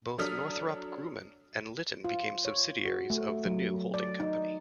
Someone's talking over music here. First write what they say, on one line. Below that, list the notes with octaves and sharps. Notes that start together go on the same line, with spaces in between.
Both Northrop Grumman and Litton became subsidiaries of the new holding company.
F#3 D4 A4 D#6 F6 B6
F4
C#5
F#4
A3
F#3
D5
D#4